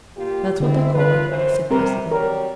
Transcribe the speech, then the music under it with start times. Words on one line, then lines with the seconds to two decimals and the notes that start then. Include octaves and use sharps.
"That's what they call it," he said, placidly.
0.17 A#2 F4 G4
0.60 D3 G#3 C4 E4
0.93 G2 F4 B4
1.29 F#2 E3 C5
1.70 C3 G3 C4 A#4 B4
2.11 F#3 G3 A#4 C#5